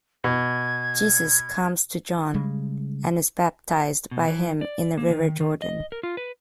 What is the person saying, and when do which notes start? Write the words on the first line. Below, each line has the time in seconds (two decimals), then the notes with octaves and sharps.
Jesus comes to John, and is baptized by him in the river Jordan.
0.24 B2 G#6
2.34 C#3 G3 G#3
4.11 B2
4.28 E3
4.61 D5
4.98 A#3
5.10 D#3
5.40 D#3
5.62 D#5
5.92 A#4
6.03 F4
6.17 B4